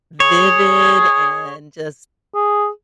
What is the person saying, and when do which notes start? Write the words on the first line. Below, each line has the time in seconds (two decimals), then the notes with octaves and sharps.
vivid and just
0.20 G#4 C#5
2.35 G#4